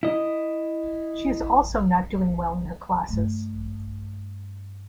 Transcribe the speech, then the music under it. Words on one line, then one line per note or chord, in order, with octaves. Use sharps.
She is also not doing well in her classes.
E4 D#5
G2 A3